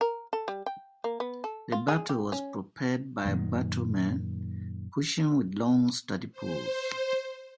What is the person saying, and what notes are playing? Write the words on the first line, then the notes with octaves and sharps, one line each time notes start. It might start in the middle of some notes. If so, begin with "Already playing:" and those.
The bateau was propelled by bateaumen pushing with long sturdy poles.
A#4
A4
G3
G5
A#3
B3
A4
F4
G#4
G4
C#4
F#2 A#2 D#3
C5